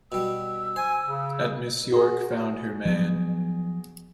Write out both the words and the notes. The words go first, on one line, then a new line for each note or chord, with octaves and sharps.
At Miss York found her man.
B2 G3 E6
C5 G#5
C#3
F#4 G#4
F3 F#3 B3